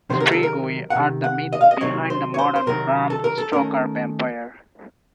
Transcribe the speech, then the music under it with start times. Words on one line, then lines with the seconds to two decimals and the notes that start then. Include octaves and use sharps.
Strigoi are the myth behind the modern Bram Stoker vampire.
0.10 C3 D#3 F#3 C4 D#4 C5
0.20 A#4
0.32 A4
0.43 A#4
0.90 F#5
0.95 C3 D#3
1.24 F#5
1.53 D#5
1.61 F5
1.71 D#5
1.81 C3 D#3 F#3 C4 D#4 C#5
2.10 C5
2.34 C#5
2.39 C5
2.56 C5
2.66 C3 D#3 F#3 C4 D#4 A#4
3.10 A4
3.24 A#4
3.38 A4
3.52 D#3 A3 C#4 A#4